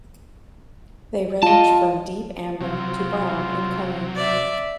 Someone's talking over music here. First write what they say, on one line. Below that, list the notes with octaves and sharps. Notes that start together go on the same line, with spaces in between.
They range from deep amber to brown in colour.
F4 D#5 A5
C3 F#3 F4
D5 E5